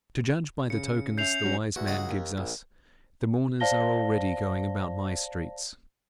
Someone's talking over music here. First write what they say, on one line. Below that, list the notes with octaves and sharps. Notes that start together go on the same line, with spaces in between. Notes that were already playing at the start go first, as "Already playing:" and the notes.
To judge by the tokens the wise man gives us, the mourners are already going about my streets.
C#3 C#7
C#4 E5 G6 C7 F7
F#3 C#4
E2 F#4
C#2 F#4 G#4 D#5
D#2
A#1
C5 D5 F5 A5 A#6 G7